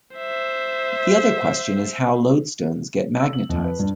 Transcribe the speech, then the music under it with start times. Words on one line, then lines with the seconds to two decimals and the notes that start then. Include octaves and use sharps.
The other question is how lodestones get magnetized.
0.17 C5 E5
3.20 E6
3.33 F#7
3.49 F2
3.65 B4
3.79 G2